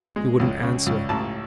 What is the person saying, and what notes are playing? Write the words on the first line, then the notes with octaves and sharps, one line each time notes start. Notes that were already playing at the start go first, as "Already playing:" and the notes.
He wouldn't answer.
G#3
C#2
C#3
C#2
A1 A5